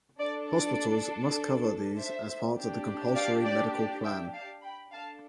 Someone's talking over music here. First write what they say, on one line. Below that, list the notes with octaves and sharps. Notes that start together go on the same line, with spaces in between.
Hospitals must cover these as part of the Compulsory Medical Plan.
D4 A4 D5
D5
C5 E5
D4 G4
D5 F5
D5
D5
E5 G5
F5 A5
G5 B5
D4 A4 F5 A5